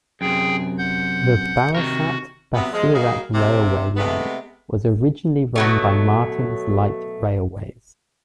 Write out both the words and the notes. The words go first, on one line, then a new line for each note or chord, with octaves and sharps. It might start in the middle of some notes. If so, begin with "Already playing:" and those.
The Barasat - Basirhat Railway line was originally run by Martin's Light Railways.
F#2 C3 G#4 G5
F#5 G6
C3 D#3 F#4 A#4
C3 F#3 B3
F3 G#3
G3 A#3 D#4 F#4 G#4
D#2 C3
C3 G#3 A3 B3
B2 F#3 A3